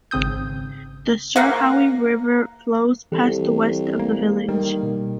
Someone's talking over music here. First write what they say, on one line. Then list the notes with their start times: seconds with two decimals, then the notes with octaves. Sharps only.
The Sirhowy River flows past the west of the village.
0.11 G#1 C#3 C4 D#6 G6
1.36 A#3 F5 F#5
3.12 C2 E3 G4 A4
4.00 A#3
4.48 D#3 G3 A#3
4.83 B2